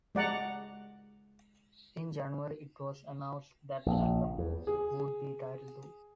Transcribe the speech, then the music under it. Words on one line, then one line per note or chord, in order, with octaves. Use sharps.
In January it was announced that the album would be titled "Two".
G#3 D5 F#5 A#5
A#1
E2
G#4